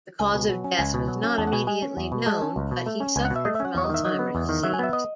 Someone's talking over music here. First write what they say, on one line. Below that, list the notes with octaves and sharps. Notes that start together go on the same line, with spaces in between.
The cause of death was not immediately known but he suffered from Alzheimers' disease.
C#2 G#5
B2
F#3
C#4
C#2 G#5
B2
F#3
C#4
E2 A5
F#5
B2 G#5
G#3 G#5
C#4
E2
B2
G#3 A5
C#4
C#2
B2
A3
C#4
C#2 G#5
F#5
B2
E5
A3 D#5
E5
C#4
F#5
E2 C#5
D#5
D#3 E5
F#3 D#5
B3
E2
D#3
F#3 E5
G#5
B3 E5
D#5